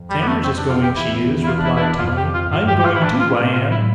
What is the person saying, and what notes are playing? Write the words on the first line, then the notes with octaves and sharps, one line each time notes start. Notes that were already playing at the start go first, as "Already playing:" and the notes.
Sanders is going, she is,' replied Tommy; 'I'm going too, I am.'
Already playing: F2
G3
B3
A3
C4
D4
F4
G4
E2 E4
E4
F4
D4
E4
E4
D4
F2 F4
G4
F4
G2 F4
G4
G4
F4
E4
A2 D4
F4
F4
E4